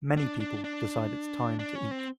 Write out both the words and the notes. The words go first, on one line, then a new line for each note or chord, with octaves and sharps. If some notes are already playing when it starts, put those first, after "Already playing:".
Many people decide it 's time to eat.
D4
D4
D4
D4
C#4
C4